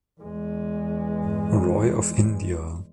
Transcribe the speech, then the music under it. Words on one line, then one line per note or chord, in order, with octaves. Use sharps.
Roy of India.
E2 G#3